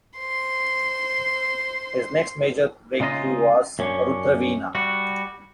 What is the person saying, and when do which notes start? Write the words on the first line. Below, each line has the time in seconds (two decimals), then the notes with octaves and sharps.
His next major breakthrough was "Rudraveena".
0.19 C5 C6
3.00 C#3 G#3 D#4 F4 D#5
3.79 F#2 C#4 D4 C#5
4.75 G3 F#4